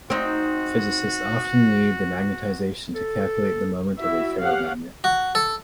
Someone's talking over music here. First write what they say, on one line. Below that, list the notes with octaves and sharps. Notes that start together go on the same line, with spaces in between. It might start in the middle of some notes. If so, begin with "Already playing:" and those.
Physicists often need the magnetization to calculate the moment of a ferromagnet.
C4 D#4 F#4
A4
E4 F#4 E5
C#4 G4 F5 F#5
F#4
A4